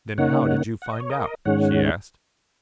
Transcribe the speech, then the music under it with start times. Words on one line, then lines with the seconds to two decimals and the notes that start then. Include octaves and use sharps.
"Then how did you find out?" she asked.
0.18 C#3 A#3 D#4 C#5 F#5
0.82 F#5
0.91 D#5
1.00 C#5
1.10 A#4 D#5
1.45 G#2 D#3 G#3 C#4 C#5 F#5